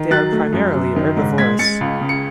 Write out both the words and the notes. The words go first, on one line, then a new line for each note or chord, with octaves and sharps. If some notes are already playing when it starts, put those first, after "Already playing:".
They are primarily herbivorous.
Already playing: D#3
F#3 F#6 A6
A3
F#2
F#2
D#3
G#2
G#3 G#6 B6
G#3 A6 C#7
C#2
C#3
C#7